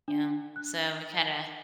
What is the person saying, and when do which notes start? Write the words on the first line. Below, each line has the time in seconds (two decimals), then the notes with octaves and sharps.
You know? So we, kinda,
0.08 D4
0.56 F#6